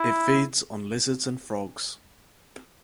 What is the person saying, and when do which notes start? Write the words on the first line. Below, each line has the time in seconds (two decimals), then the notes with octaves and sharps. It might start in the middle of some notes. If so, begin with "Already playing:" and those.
It feeds on lizards and frogs.
Already playing: E4